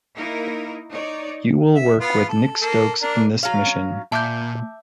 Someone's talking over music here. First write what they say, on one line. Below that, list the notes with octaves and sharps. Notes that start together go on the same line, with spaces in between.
You will work with Nick Stokes in this mission.
A#3 D#4 E4 A#4
D#4 C#5 D5
E5
B3 F4 B5
A4
A#3 A4
A#3 D4 A#4
F#3 F5
A#2 E5 A5 D6 G6